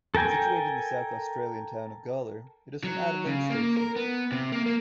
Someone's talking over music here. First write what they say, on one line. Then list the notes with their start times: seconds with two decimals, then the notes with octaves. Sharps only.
Situated in the South Australian town of Gawler, it is from Adelaide station.
0.15 A4 A#4 G5 G#5
2.84 F#3
3.26 C#3
3.50 A#3
3.77 A#4
3.96 B3
4.32 C3
4.52 A#3
4.66 A#3